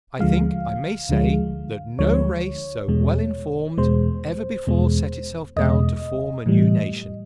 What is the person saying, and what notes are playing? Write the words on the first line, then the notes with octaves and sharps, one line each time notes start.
I think I may say that no race so well informed ever before set itself down to form a new nation.
D2 D3 F3 G#3 F5
D2 D3 F3 G#3
D2 D3 F3 G#3 C#5
E2 B2 G#3
E2 B2 G#3 C5
E2 B2 G#3
E2 B2 G#3 D#5
A2 E3 G3